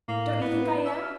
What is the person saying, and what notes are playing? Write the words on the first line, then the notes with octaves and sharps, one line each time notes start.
Don't you think I am?
A2 A#3
B3 E4
B4
E5
F6